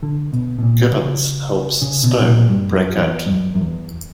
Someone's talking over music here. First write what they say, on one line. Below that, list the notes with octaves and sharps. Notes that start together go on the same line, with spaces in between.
Gibbons helps Stone break out.
D3
B2
B2
A#2
C#3
C#3
B2
B2
A#2
G2
F#2
F#2
E2
G2
F#2
F#2
E2